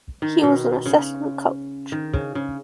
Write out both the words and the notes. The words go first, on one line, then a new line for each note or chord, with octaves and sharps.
He was an assistant coach.
D#3
B2
C#3
D#3
C#3
C#3